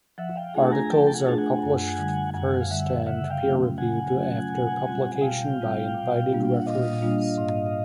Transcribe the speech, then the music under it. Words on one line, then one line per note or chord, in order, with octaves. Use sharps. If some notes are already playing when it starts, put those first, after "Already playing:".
Articles are published first and peer reviewed after publication by invited referees.
F3 E5 F#5
F5 G5
A3 D4 F4 G#4 F#5 G#5
A5
G#5 A#5
F3 G5 A5
A5
F#5 G#5
A3 D4 F4 G#4 A5
F#5 G#5
F#2
D3 G3
F#2 F#5 G#5
F5
D3 G3 E5 F#5
C#3 E5 F#5
F5 G5
F#3 A3 C#4 F4
C#3 F#5 G#5
F#3 A3 C#4 F4
B2
G3 C4 F4
F#5
B2 F5 G5
G3 C4 F4
A#2
G3 A#3 D4 F4
G5
F#5
A#2 D#5 F5
G3 A#3 D4 F4
G#2